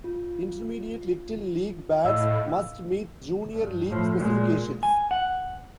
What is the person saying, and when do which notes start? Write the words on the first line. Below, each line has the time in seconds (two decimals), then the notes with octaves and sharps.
Intermediate Little League bats must meet Junior League specifications.
0.04 F4
2.05 A2 D#5 F5 E6
3.52 G2
3.89 A2 F3
4.18 A#2 G#3
4.83 G#5
5.11 F#5